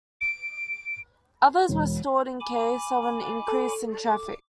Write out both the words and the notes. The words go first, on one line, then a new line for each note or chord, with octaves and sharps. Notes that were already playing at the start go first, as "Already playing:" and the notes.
Others were stored in case of an increase in traffic.
D7
E1
G#5 B5 D6
A4
D6